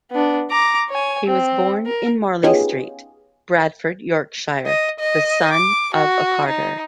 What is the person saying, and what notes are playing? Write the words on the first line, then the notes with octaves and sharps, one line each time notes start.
He was born in Marley Street, Bradford, Yorkshire, the son of a carter.
B3 D4
A#5 D6
C#5 G#5
C4
A#4
B3 C#4 D#4 F4 G4 G#4
D#5
D#5
D6
F#4
D#4